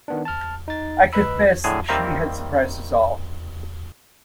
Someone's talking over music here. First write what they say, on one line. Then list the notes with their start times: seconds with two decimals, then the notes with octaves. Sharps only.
I confessed that she had surprised us all.
0.08 D#3 B3 D4
0.25 A5 F6
0.68 D#4 A6
1.13 C#2 B4 D#5 B5 E6
1.64 A2 D3 G#4
1.88 D#3 G3 A#3 C4 E5 A#5